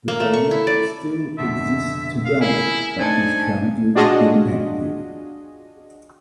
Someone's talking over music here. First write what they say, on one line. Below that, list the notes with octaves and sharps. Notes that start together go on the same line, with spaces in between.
The band still exists today, but is currently inactive.
A#3
A3
C#6
E4
D5
F2 B2 D3 E5
F5
E4 G#4 A#4 G#5
A3 D4 D#4 A4 C5 G#5
D4 F4 F#4 G#4 D#5